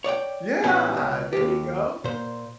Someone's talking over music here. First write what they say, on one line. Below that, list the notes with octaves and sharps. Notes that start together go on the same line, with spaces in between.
Yeah, there you go.
C#5 D5 F#5 G5
A2 E3 B3 C#4 E4 G4
C#2
D#2 G4
A#2 C5